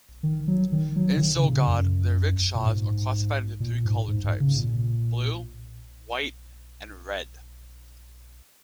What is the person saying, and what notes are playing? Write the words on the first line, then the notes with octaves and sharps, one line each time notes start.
In Sogod, the rickshaws are classified into three color types: blue, white and red.
D#3
F#3
D#3
F#3
C#3
D#3
C#3
A#2
C#3
F#2
A#2
G#2
A#2
G#2
G#2
G#2
C#3
A#2